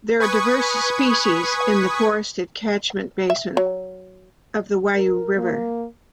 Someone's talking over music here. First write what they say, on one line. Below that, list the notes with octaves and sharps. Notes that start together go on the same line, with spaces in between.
There are diverse species in the forested catchment basin of the Waiau River.
B4 G#5 C#6 D#6 G#6 B6
E5
F#3
A#4
A#3